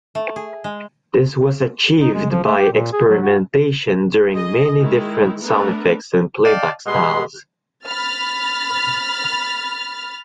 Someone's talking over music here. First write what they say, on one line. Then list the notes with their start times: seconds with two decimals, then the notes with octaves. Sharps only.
This was achieved by experimentation using many different sound effects and playback styles.
0.15 A3
0.36 G#4
0.64 G#3
2.01 D#4
2.15 G#3
2.31 F3
2.45 A3
2.58 G4
2.73 A#2
2.93 G#4
3.09 F#3
3.23 F#4
4.33 G#4 D#5
4.80 D#3 G#3 E4
5.43 A3 B3 D4 A#4 B4
6.45 D5 D#5 F5 G5 A5
6.86 B2 G3 G#3 B5 C6
7.85 B5 F6 A6